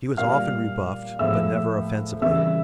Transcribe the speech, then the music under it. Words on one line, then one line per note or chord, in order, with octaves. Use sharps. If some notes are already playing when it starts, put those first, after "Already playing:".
He was often rebuffed but never offensively.
A#2 G3 F5 F6
A2 F3 G#3 E5 E6
C#3 E3 G3 E5 E6